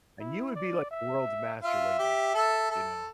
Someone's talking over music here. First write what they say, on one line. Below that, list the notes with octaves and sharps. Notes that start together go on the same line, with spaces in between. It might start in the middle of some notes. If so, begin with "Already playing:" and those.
And you would be, like, the world's master linguist, you know?
E4
D5
E5
F4 E5
G4
A4
A4